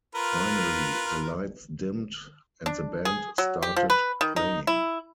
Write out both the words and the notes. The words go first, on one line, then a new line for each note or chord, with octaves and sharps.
Finally, the lights dimmed and the band started playing.
F4 A#4 B4
D4
G#4
F#3
G4
F3
B4
D#3
D#4
E4